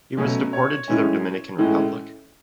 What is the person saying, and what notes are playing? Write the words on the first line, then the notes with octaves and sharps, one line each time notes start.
He was deported to the Dominican Republic.
B2 F#3 A3 C#4
C#5
A2 E3 G#3 C#4
A2 E3 G#3 C#4